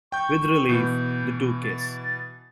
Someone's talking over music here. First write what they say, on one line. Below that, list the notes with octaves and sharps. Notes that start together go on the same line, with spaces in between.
With relief, the two kiss.
G5 C#6 G6
B2 E3 G6
A6